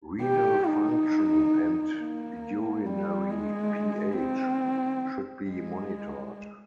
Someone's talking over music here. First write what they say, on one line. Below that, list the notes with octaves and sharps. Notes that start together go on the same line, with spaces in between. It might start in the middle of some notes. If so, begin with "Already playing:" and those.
Renal function and urinary pH should be monitored.
G4
D#4
A#3
G3
G#3
C4
G#3